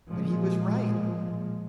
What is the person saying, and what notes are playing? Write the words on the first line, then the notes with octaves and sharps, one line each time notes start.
But he was right.
A#2 F3 G#3